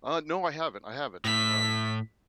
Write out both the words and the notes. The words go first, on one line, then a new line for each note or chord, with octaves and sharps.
Uh, no, I haven't, I haven't, um
A2 B6